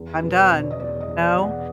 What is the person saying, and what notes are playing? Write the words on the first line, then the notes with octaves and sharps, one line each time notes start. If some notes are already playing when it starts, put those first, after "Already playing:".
"I'm done." You know?
Already playing: E2
B4
B2
C#5
B2
D5
D#5
E2 D5
D#5
E2
D5
E2
F#5